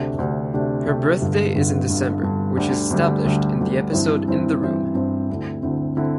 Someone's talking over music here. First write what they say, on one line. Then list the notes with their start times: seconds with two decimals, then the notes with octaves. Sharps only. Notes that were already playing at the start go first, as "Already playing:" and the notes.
Her birthday is in December, which is established in the episode "In the Room".
Already playing: D2 C3 A3 D4 G4
0.18 D2 C3 A3 D4 G4
0.54 D2 C3 A3 D4 G4
0.87 D2 C3 A3 D4 G4
1.22 G1 G2 D3
1.55 G1 G2 D3
1.89 G1 G2 D3
2.23 G1 G2 D3
2.57 D2 D3 G3
2.91 D2 D3 G3
3.25 D2 D3 G3
3.59 D2 D3 G3
3.93 G2 E3 C4 E4 C5
4.28 G2 E3 C4 E4 C5
4.62 G2 E3 C4 E4 C5
4.95 G2 E3 C4 E4 C5
5.30 D2 D3 C4 E4
5.63 D2 D3 C4 E4
5.97 D3 C4 E4